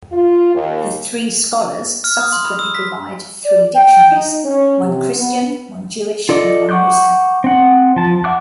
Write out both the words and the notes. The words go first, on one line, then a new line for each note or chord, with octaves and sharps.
The three scholars subsequently provide three dictionaries: one Christian, one Jewish and one Muslim.
F4
D#2
F6
D#6
C6
B5
E6
B6
D5
G5
D#4
C#4
C3
B3
F4 A4 D5 D#5 D6
F#5 C#6 D6 F#6 G6
C4 F#5
F3 A5
E5 F#5 D6 F#6